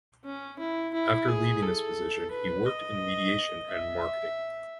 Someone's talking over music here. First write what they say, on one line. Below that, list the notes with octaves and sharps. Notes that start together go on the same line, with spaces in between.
After leaving this position, he worked in mediation and marketing.
C#4
E4
E4
G#4
A4
B4
D#5
E5